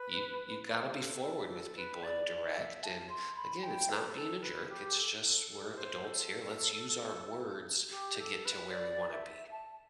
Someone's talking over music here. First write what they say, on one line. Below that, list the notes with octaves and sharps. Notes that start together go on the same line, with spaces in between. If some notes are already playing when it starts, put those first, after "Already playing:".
Y you gotta be forward with people and direct. And, again, it's not being a jerk. It's just we're adults here. Let's use our words to get to where we wanna be.
Already playing: B4
C5
A4
A4
A4
B4
D5
D5
E5
A5
C6
B5
G5
A4
A4
B4
G4
A4
A4
A4
C5
A4
G4
A4
B4
D5
E5
A5